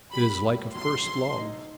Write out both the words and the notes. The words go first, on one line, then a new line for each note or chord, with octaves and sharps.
It is like a first love.
G3 B5
A2
B1 C6
B1
D#4